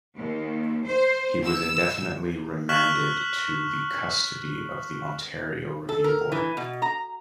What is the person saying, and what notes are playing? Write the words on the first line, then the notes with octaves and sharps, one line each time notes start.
He was indefinitely remanded to the custody of The Ontario Review Board.
D#2
C5
E6
C#6 F6 F#6 B6 E7 F#7
A4
A#4
E3
B2
A#5